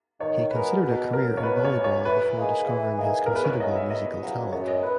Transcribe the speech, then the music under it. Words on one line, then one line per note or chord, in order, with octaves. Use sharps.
He considered a career in volleyball before discovering his considerable musical talent.
D#3 C#5
G#3 B3 F#4 A#4 B4
B2 B4
F#3 C#4 E4 A#4
C#5
B2 B4
C#5
F#3 C#4 E4
C#5
E3 B4
A#3 D#4 G#4
E3
A#3 D#4 G#4
E2 A#4
B4
C#5
C#3 F#3 D#5
E5
E2 D#5
C#3 F#3
F#2 C#5
D#5
E4 B4